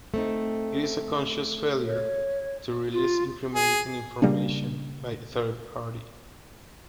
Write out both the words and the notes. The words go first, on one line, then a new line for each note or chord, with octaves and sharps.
It is the conscious failure to release incriminating information by a third party.
A3 C4 D#4
C#5
F4
G#4
C#3 G3 A#3 D4